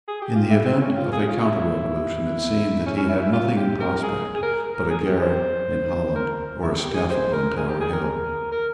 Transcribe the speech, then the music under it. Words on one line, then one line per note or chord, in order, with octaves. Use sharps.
In the event of a counterrevolution it seemed that he had nothing in prospect but a garret in Holland, or a scaffold on Tower Hill.
G#4
G4
F4
E4
C4
C#4
F4
G#4
F4
E4
C#4
C#4
E4
E4
F4
G4
A#4
G#4
G#4
A#4
A#4
G#4
G4
C5
A#4
E4
G4
G#4
C5
A#4
G#4
G4
G#4
A#4
A#4